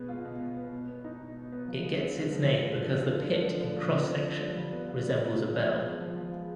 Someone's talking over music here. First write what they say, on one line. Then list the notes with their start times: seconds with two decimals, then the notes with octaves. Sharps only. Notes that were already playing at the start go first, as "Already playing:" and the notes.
It gets its name because the pit in cross section resembles a bell.
Already playing: B2 G#3 B3
0.08 F4
0.25 B2
0.40 B2
0.57 B3
0.73 B2
0.89 B3
1.04 D#4
1.21 B2
1.37 B2
1.52 B3
1.68 F3
1.85 G#3
2.01 C4
2.16 F4
2.33 F3
2.49 G#3
2.64 D3
2.80 F3
2.96 C4
3.13 D3
3.28 D3
3.45 F3
3.60 D3
3.76 F3
3.93 C4
4.09 D3
4.24 D3
4.41 F3
4.56 G3
4.72 B3
4.89 F4
5.05 G3
5.21 G3
5.36 B3
5.53 F3
5.69 G#3
5.84 B3
6.01 F3
6.16 F3
6.32 G#3